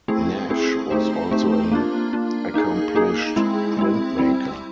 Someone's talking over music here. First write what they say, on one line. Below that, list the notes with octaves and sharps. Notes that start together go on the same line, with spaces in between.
Nash was also an accomplished printmaker.
A3 C4 E4 G#4
A3 C4 E4 G#4
A3 C4 D#4 G4 C5
A3 C4 D#4 G4 C5
A#3 D4 F4
A#3 D4 F4
A#3 D#4 G#4
A#3 D#4 G#4
G#3 C4 E4
G#3 C4 E4
G3 C4 E4